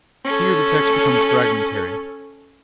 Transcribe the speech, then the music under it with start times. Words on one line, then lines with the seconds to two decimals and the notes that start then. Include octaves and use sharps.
Here the text becomes fragmentary.
0.24 C#4 A4